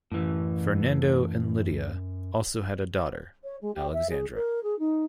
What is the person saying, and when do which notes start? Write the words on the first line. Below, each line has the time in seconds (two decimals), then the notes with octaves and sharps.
Fernando and Lydia also had a daughter, Alexandra.
0.12 F#2 A2 E3
3.43 C#5
3.61 G#3
3.74 G4
3.92 E5
4.09 G#4
4.34 A#4
4.63 G#4
4.79 D#4